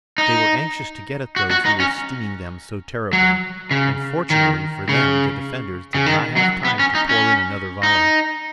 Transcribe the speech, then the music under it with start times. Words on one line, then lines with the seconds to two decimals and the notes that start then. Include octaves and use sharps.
They were anxious to get at those who were stinging them so terribly, and fortunately for them the defenders did not have time to pour in another volley.
0.18 D#4
1.36 F#4
1.51 F#4
1.65 D#4
1.80 C#4
3.13 F#3
3.71 C#3
4.30 D#3
4.89 C#3
5.95 C#3
6.06 D#3
6.37 F#3
6.65 B3
6.79 C#4
6.95 D#4
7.09 C#4
7.83 D#4